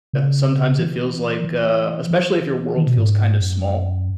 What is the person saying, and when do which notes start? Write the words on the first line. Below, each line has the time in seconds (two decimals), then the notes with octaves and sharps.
sometimes it feels like, uh especially if your world feels kind of small,
0.13 C#3
0.79 E3
1.45 E3
2.11 E3
2.76 D#3
2.87 B2
2.98 G#2
3.41 F#2